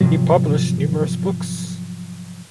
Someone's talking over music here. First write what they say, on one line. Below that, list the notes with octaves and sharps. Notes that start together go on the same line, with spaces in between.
He published numerous books.
G#2 C3 F3 F#3